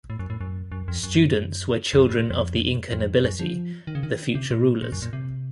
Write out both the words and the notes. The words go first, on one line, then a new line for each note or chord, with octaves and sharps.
Students were children of the Inca nobility, the future rulers.
A2
F#2
A2
F#2
F#2
F2
F#2
F2
F#2
A2
A#2
F2
F2
F#2
F3
D#3
C#3
D#3
C3
A#2
A#2
F#2
A#2
C3